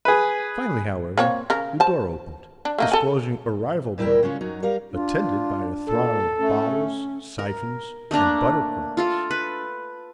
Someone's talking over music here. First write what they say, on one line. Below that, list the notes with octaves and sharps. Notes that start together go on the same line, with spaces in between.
Finally, however, the door opened, disclosing a rival berg, attended by a throng of bottles, siphons, and butter-crocks.
G#4 B4
A#3 C4 C#5
C#3 A#4
C5 A5
D4
A3 A#3 D#4
A4 G#5
A#2 G3 E4 A#4 G5
C#3 G#3 C#4 F4
F#2 F#3 D#4
G3 A#4 F5
D4 F4
A#2 A4
A3 C#4
A#4
A3 A#3 D4 A#5
F4 A4 F5
B4